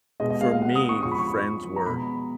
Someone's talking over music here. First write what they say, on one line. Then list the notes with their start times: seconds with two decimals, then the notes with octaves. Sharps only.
for me, friends were,
0.20 B2 G#3 D#5
0.30 D#5
0.41 F5
0.51 F5
0.62 F#5
0.75 D#6
0.89 C#6
1.03 F2 F3 G#3 C#6
1.11 B5
1.19 C#6
1.76 A#5
1.86 B2 G#3 B5